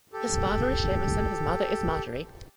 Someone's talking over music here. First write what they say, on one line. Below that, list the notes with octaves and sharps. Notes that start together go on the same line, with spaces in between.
His father is Seamus and his mother is Marjorie.
G4 A4